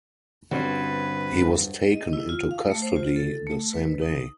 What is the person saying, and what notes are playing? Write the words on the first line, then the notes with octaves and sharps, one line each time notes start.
He was taken into custody the same day.
G2 D3 C4 C#4 F#4 B4 C5
D#5
E4
F4
F5
A3
C5
F4
A4
A3
B4
D#4